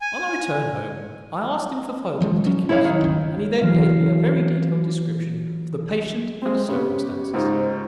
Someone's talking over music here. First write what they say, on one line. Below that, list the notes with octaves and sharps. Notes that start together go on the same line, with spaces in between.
On our return home I asked him for further particulars, and he then gave me a very detailed description of the patient and the circumstances.
G#5
E3 F3 G#3
F#3 C#4
E4 C#5 F5
D#3
G1 C#2
E3 F#3 F5
G#3 C4 C5
C#3 B3 G4
C#2 G#2 D#4 C5